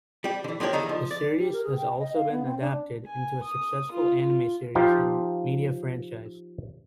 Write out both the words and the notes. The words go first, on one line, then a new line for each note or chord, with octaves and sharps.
The series has also been adapted into a successful anime series and media franchise.
G3 G4
D3 E3
F3 A#3 D4 G4 C#5
E2 D3 D#3 D#4
F3
D5
G4
A#4
G#4
G5
D#5
F5
B3
C4
D4
G#5
D#6
F4
F4
F3 D#4 F4 G4 C5